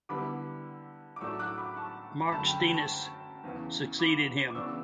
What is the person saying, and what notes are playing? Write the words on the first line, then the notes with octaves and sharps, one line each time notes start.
Mark Steines succeeded him.
D3 G3 B3 E4 B5 D6
D6
A2 F#3 A3 D4 C#6 E6
D6 F#6
B5 D6
A5 C#6
B5
F#2 D3 A3 A5 C#6
G5 B5
G5 B5
A5 C#6
E2 C#3 E3
B5 D6
D6
C#3 E3 B3 D4 C#6 E6